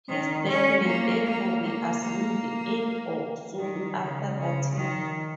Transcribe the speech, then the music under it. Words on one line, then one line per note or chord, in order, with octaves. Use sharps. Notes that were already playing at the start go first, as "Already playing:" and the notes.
His death may therefore be assumed in or soon after that year.
D#3
C#4
A#3
A#3
A#3
A#3
D#3
C#3
C#3
D#3